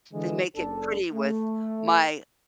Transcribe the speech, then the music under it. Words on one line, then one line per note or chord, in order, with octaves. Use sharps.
then make it pretty with my
D3 E3 G#3
F#1 D4 A4
A3